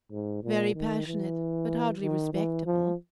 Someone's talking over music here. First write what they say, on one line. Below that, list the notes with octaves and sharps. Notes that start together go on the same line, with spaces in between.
'Very passionate, but hardly respectable.
G#2
A#2
D#3
E3
D#3
E3
F3